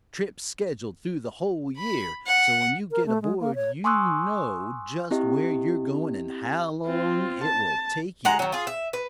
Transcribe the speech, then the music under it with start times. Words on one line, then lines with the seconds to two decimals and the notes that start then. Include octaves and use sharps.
Trips scheduled through the whole year, so when you get aboard you know just where you're going and how long it will take you.
1.77 B5
2.26 F#5
2.91 A#4
3.06 A3
3.22 G#3
3.40 A#3
3.55 C#5
3.84 G#5 C6 C#6 D#6 E6 F#6
5.11 C4 E4 G4 D#5
6.86 C4 F4
7.44 A5
8.25 G#3 F#5 A#5
8.39 D#3 F#3
8.52 F4 G#4
8.67 E5
8.93 B4